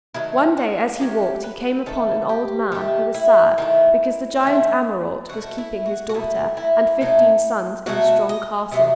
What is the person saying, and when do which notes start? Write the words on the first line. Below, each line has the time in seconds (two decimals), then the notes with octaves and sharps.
One day as he walked he came upon an old man who was sad because the giant Ameraunt was keeping his daughter and fifteen sons in a strong castle.
0.14 D#3 F#3 A3 E4
0.58 F#4
1.00 D#3 F#3 A3 G4
1.44 B4
1.86 D#3 A3 A4
2.29 G4
2.72 D#3 A3 G4
3.14 E4
3.58 D#3 A3
4.43 D#3 A3
5.29 B2 A3 F#4
5.58 E4
5.86 F#4
6.09 F#4
6.14 B2 A3 E4
6.57 E4
7.01 B2 F#3 A3
7.86 B2 F#3 A3 F#4
8.29 D#5
8.71 C3 F#3 A3 D#5